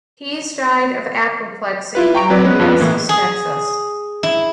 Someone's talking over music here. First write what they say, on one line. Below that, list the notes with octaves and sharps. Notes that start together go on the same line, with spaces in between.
Pease died of apoplexy in Lampasas, Texas.
E4 F4 B4
G5 A#5 C#6 D7
F#3 C4 B4 D5
G#3 B3 C#4 B4
F2 B3 F4
A2 E3 A#3
G#4
E4